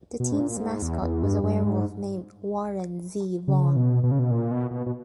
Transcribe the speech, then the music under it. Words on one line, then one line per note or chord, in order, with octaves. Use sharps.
The team's mascot was a werewolf named "Warren Z. Vaughn".
B2
G#2
A#2
G2
G#2
E2
E2
G2
G2
G#2
C#3
B2
B2
C#3
B2
A#2
B2
B2
B2